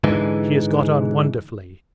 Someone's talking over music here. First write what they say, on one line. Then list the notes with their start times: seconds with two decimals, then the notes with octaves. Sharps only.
She has got on wonderfully.
0.04 G#2 D3 E3 G#3